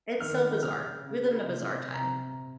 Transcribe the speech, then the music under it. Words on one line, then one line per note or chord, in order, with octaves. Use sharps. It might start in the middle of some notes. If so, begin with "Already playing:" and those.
it's so bizarre. We live in a bizarre time.
D#3 F6
C#3 F6
C#3
C3
C3 A#5